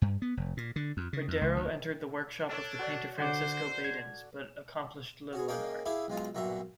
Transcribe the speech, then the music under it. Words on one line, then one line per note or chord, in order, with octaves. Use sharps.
Bredero entered the workshop of the painter Francisco Badens, but accomplished little in art.
G2
B3
F1
A#2
D3
F2
C#3
F2
C#2
D2
D4 A4 C#5
F#4 C#5 D5
D3 C5 D5 F#5 D6
G#6
F#4 G#4
A#3 C#4 G#4 A#4 D#5 G5
E4 G4 G#4 E5 F5
B1 G#3 F4
B1 G2 A#2 F#4 E5 A#5